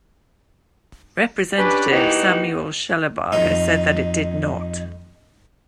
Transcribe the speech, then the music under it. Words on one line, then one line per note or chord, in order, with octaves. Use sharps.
Representative Samuel Shellabarger said that it did not.
C#4 D4 G4 B4
E3 A#3 D#4 F#4 G4
F2 D#4